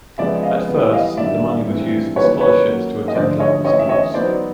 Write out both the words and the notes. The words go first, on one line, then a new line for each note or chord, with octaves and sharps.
At first the money was used for scholarships to attend local schools.
C#3 F3 G#3 B3 D5 E5
D#5 F5
E3 G3 B3
D#5 F5
G2 D#3 F#3 D5 E5
G2 E3 A3 C4 F4
D#3 F#3 A#3 C#4 F4 B4 C#5
B4 C#5
F#3 A#3 C#4 F#4
D#5
D3 F3 A3 C5 D5
C#5 D#5
E3 A3 C#4 E4 C#5 D#5
E5
C#5 D#5
F#3 B3 D#4 C5 D5